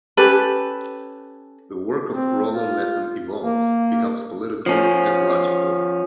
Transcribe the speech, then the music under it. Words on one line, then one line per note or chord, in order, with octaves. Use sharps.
The work of Roland Lethem evolves, becomes political, ecological.
C#4 G4 A4 B4
C4
F4
A#3
F3 C#4